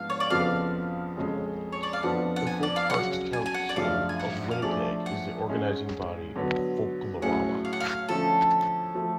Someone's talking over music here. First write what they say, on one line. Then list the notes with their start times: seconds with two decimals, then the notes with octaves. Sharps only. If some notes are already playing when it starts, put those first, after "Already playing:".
The Folk Arts Council of Winnipeg is the organizing body of Folklorama.
Already playing: G#2 F3 B3 D4 F5
0.10 C#5
0.20 D5
0.30 F2 C#3 F3 B3 F4 F5
1.17 F2 C#3 G#3 C#4
1.73 C#5
1.83 D5
1.93 F5
2.03 F2 F3 B3 D4 F4 F#5
2.36 F#5
2.47 G#5
2.63 D5
2.76 F5
2.90 C#3 F#3 C#4 F#5
3.33 G#5
3.46 G#5
3.54 F#5
3.69 D5
3.76 F#2 C#3 F3 A3 D4 F5
4.09 G#5
4.19 F#5
4.51 F5
4.62 F3 A3 D4 G#4 D5
5.06 F#5
5.49 G#2 G#3 C#4
6.36 D3 F#3 B3
7.22 A2 F#3 A3 C#4 G#4 F#5
7.65 F5
7.73 F#5
7.80 F5
8.09 D3 F3 A3 C#4 A4
8.95 F3 A3